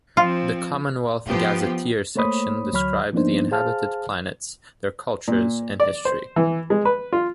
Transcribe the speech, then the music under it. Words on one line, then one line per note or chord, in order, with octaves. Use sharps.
"The Commonwealth Gazetteer" section describes the inhabited planets, their cultures, and history.
F3 C4 F4
F3 B3 G4
A3 A#3 C5 C#5 B5 D#6
D2 F#3 C#5 B5 F6
F3 A#3 B3 D4 D#4 C5
G#4 C5 F5 A5 F6
A#2
D5
C5
E3
G#3
B4
F4